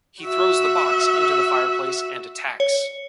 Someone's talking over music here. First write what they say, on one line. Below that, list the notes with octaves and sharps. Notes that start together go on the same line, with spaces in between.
He throws the box into the fireplace and attacks.
F#4 E5
C#5